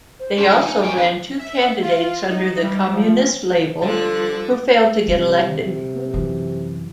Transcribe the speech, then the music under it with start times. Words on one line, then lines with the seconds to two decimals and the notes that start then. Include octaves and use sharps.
They also ran two candidates under the Communist label, who failed to get elected.
0.19 C5
0.38 C#4 D4 G4 C6
0.51 F3 E4 G#5
0.67 D#4
0.83 A#4 C#5 G5
0.95 F2 D3 B4
1.39 E5
1.82 F4
2.29 D#4
2.62 G3
2.92 F3
3.82 D3 F3 G3 D4 A4 C5 F#6
5.08 C3 G3
6.13 F#2 E3